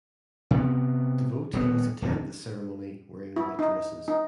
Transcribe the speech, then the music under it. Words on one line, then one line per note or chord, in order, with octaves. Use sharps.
Devotees attend this ceremony wearing white dresses.
C3 B3
D#1 C3 B3
D1 F2 G#2
E4
D#4
D#4